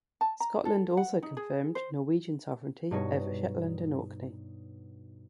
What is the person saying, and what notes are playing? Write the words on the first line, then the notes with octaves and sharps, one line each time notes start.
Scotland also confirmed Norwegian sovereignty over Shetland and Orkney.
A5
A#5
A4
F#5
D#4
G#4
C5
G2 B2 D#4 C#5